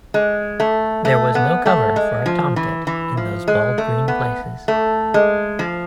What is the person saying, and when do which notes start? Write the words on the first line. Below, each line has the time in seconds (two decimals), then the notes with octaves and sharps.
There was no cover for a tomtit in those bald green places.
0.14 G#3
0.60 A3
1.05 A3
1.35 B3
1.66 A3
1.96 G#3
2.26 F3
2.56 E3
2.87 E3
3.17 F3
3.48 G#3
3.78 A3
4.08 B3
4.68 A3
5.14 G#3
5.59 F3